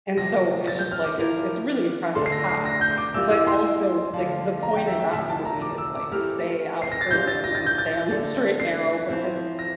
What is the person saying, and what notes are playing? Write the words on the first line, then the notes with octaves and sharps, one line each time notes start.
and so it's just like, it's it's a really impressive hack, but also, like, the point of that movie is like stay out of prison and stay on the straight and narrow because
D2 C3 F3 A#6
A6
G6
F6
D6
F3 A#3 E4 A#4
D2 D3 A3 D4 A4 C6
C7
A#6
C7
A#6
G6
D6
E3 G3 A#3 F4 E6
E6
C6
D2 D3 F3
A#5
G5
E5
E5
D2 C3 F3 E5
A5
A#5
D6
E6
D6
E3 A3 C4 G4 A#4 F6
C7
A#6
A6
E3 G3 D4 F4 G6
A6
A#6
A6
G6
A6
D3 A3 D4 A4
C7
F3 C4 E4
A#6